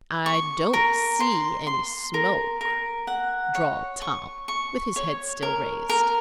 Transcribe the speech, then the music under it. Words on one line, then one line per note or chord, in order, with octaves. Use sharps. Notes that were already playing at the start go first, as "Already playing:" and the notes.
"I, don't, see, any, smoke," drawled Tom, with his head still raised.
C#6
A#4
C6
C6
A#4
A#4
F#5
C#5
C#6
C#6
C#5
A#4
A#4